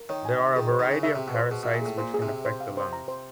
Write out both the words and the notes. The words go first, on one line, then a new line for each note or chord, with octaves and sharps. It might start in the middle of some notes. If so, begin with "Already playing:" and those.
There are a variety of parasites which can affect the lungs.
Already playing: A#4
D#3 C#5
G#5
E5
D#3 G#4
C5
D#3
C#3 G#4
C#3 E5
C3 G#4
B2
C5
B2 G#4
B2 E5
A#2
A2 G#4
A#2 C5
G#4
C3
E5
C5
F5
C5
A#5
C5